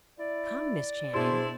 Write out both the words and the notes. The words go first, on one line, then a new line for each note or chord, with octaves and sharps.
"Come, Miss Channing."
E4 D5
B2 D4 E4 G#4 C5 C6